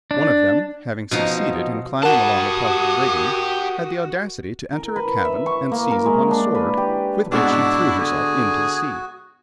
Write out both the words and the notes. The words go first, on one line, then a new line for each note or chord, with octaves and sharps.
One of them, having succeeded in climbing along a part of the rigging, had the audacity to enter a cabin and seize upon a sword, with which he threw himself into the sea.
D4
B2 F3 D#4
F#4 G4 A#4 F#5 A5 D#6
A#4
B4
E5
C#6
A#3
A#4
G#3
D4
B4
G4
G#2 B2 D4 E4 F#4
D3 G#4